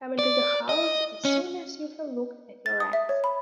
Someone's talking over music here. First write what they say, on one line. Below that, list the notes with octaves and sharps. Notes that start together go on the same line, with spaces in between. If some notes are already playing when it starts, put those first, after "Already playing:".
Come into the house as soon as you have looked at your eggs.
D5
D#5
C#4
A6
D#6
E5
C#5
B5